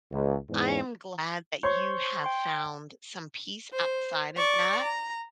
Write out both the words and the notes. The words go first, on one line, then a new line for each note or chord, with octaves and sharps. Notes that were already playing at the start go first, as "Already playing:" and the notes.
I am glad that you have found some peace outside of that,
C#2
E2 G#2
C5 C#5 C6 C#6
G5 C6
C5
D5 C#6
A#5